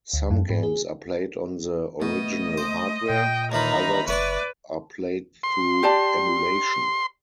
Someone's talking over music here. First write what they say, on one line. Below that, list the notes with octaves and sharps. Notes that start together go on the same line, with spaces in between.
Some games are played on the original hardware; others are played through emulation.
D2
F#2
G#2
G#4
B2 A3 D#5
C5
A#2 G5
D#2 E3 D#4 F4 A#5 B5
F#1 B4 D5 E5 F#5 C#6
C6
G4 D5 A5